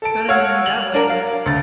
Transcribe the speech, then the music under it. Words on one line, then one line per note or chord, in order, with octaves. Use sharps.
kinda nerdy that way, but
A4 A5 D7
C#5 F5 F#5 E6 F6 G#6
F7 F#7
D4 A#4
F5
D2 A6